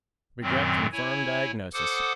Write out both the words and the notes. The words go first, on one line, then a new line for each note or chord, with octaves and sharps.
Regret confirm diagnosis.
F#2 A#2 D#3 F#3 C4
E4 C#5 G#5
A4 C5 F#5 D6 D#6